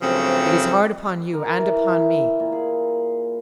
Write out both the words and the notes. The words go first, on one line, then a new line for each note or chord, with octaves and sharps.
It is hard upon you,--and upon me.
G2 C#3 F3 F#3 A3 C4
A#4
E3
E4
A#2
G#4